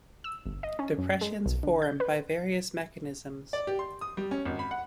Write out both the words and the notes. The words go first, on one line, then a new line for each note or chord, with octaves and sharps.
Depressions form by various mechanisms.
E6
G1
D#5
C#4
F#2
G#3
B1
D3
G6
B4
D5
G4
C6
D#6
G3
C#4
G#1
B5
F#5